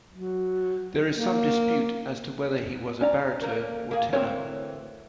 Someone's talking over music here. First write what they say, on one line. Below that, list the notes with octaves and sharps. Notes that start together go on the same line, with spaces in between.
There is some dispute as to whether he was a baritone or tenor.
F#3
A#3
C#4 D5 A#5
A#3 A#4
A#3 G#4
D2 E3 C4 A#4 C#5